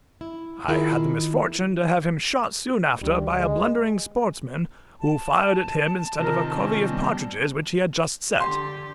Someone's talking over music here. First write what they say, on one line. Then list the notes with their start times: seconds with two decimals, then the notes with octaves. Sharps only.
I had the misfortune to have him shot soon after by a blundering sportsman, who fired at him instead of a covey of partridges which he had just set.
0.21 E4
0.68 D#3 E4 F4 G#4 A#4
3.03 D2 G3
3.39 G#3
5.00 A5
6.19 C3 D#3 F4 A#4
6.51 C#4
6.87 G3 B3
8.40 D3 G4 C6